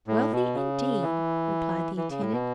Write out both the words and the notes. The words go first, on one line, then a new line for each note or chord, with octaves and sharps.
"Wealthy, indeed!" replied the intendant.
A2
B2
C#3
E3
E3
C#3
A2
B2